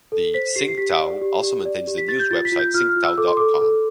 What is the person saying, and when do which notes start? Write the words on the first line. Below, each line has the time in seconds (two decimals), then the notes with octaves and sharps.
The "Sing Tao" also maintains the news website singtao dot com.
0.12 A4
0.34 C5 B6
0.56 G4 C7
0.68 C7
0.78 G4 B6
0.99 D5
1.22 G4
1.43 G4
1.65 D5
1.87 G4
1.98 B6
2.09 G4 A6
2.19 G6
2.31 F4 A6
2.45 B6
2.52 F4
2.59 G6
2.74 F4 F6
2.89 F6
2.96 F4
3.03 E6
3.18 A4 D6
3.28 C6
3.37 A4 D6
3.61 A4